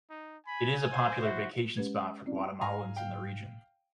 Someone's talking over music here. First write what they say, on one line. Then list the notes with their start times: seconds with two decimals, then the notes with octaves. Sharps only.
It is a popular vacation spot for Guatemalans in the region.
0.10 D#4
0.47 G#5 B5
0.92 C5
1.21 E4 F#4 E5
1.77 G#3 C#4 G4 B4 G#6
2.26 C4 C#4 E4 D5
2.61 G#2 F5 G#5 A#5
2.96 F5 G5